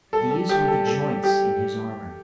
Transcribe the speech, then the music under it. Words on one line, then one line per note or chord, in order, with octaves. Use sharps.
These were the joints in his armor.
G3 A4
A4
G4
A4
A4
G4